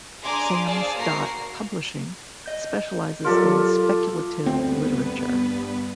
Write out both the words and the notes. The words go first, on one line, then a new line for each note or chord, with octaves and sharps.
Sam's Dot Publishing specializes in speculative literature.
D4 G#4 G#5 A#5 C6 D6
G#4 C5 D5 F5 A5
A#3 F#4 A#4 A#5 C7
D#5 G6
F#3 F4 G4 A4 A#4 D5
D2 G2 B3 C4 B4